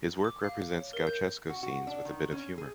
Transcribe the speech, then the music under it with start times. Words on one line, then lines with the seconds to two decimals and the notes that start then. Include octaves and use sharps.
His work represents gauchesco scenes with a bit of humor.
0.25 D6
0.44 F5
0.73 C#5
0.93 A#4
1.07 G6
1.50 F#4
1.63 F#4
1.87 D4
2.05 D#3
2.32 C#4
2.58 G#4